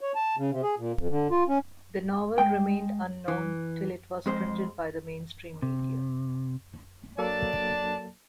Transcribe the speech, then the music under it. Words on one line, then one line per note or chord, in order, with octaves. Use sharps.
The novel remained unknown till it was printed by the mainstream media.
C#5
A5
C#3
C3
G#4
A#2
F2
D3
F4
C#4
G#3 G5
E3
F2 G#3 C5
C3
F#3 A#3 A4 D5 A5